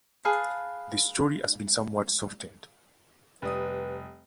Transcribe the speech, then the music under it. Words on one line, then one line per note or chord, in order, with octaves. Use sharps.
The story has been somewhat softened.
G#4 B4 F5 A5
F1 G3 B4 D#6